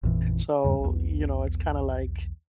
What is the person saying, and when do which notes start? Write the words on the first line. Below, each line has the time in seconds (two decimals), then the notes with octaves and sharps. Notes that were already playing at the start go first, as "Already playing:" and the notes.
So, you know, it's kinda, like,
0.03 A1 F2 A#2 E3
0.64 E2 G2 C#3
0.80 B1 E2